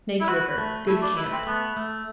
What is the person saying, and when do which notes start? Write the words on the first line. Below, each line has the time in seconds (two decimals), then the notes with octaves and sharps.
Snake River.--Good camp.
0.21 E4
0.28 F#4 B4
0.58 A3
0.87 A3 E4
1.02 D4
1.17 E4 B4
1.32 C4
1.47 A3 B3
1.76 A3